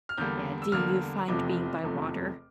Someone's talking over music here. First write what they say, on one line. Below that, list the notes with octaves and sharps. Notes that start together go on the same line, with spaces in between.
Yeah, do you find being by water
F6
E2 D3 G3 A#3 G6
E6
E2 D3 G3 A#3 F6
F1 E2 C3 F3 A3 D6
F1 E2 C3 F3 A3